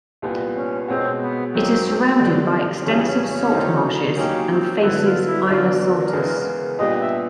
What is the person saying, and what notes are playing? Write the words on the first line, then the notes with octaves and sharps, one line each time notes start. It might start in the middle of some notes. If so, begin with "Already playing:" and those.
It is surrounded by extensive salt marshes and faces Isla Saltes.
C2 A#2 G3 B3
C#4
B2 G#3 C4 C#4 F#4
B3
F#2 D#3 F#3 A#3 C4 C#4
F#2 D3 G3
C4
F2 C#3 E3 G3 C#4
C#4
C#4
D3 F#3 A3 C4 D#4
D#3 F#3 A#3 C#4 D#4 G4
C4
G2 D3 F#3 B3 E4
F4
E4
F#2 D3 F#3 B3 D4 F4
A#4
E2 C#3 E3 G#3 B3
A#2 G3 B3 D4 G4 D#5
E5